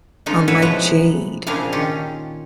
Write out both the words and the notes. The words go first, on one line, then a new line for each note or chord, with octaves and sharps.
"Unlike Jade."
D3 G#3 C#4 D#4 F4
E4 F#4 B4 C#5 E5
B2 E3 F3 G#3 B4 A#5
A#2 C#3 C4 D4 G#4 F5
D#3 C#4 F4 G4